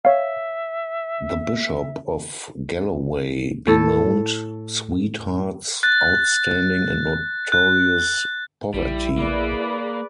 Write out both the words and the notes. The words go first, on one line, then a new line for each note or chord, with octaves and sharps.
The Bishop of Galloway bemoaned Sweetheart's "outstanding and notorious poverty".
C#5 E5 F5
A2 A4
F#6 A6
F#6
A#1 G3 E4
A#3 G#4 B4 D5